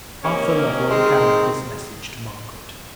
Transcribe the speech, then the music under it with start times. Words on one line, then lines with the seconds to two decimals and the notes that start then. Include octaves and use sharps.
Arthur Lovell carried this message to Margaret.
0.23 C3 D#3 A#3 C#4 C#5
0.56 A#4
0.90 D#3 G#3 C4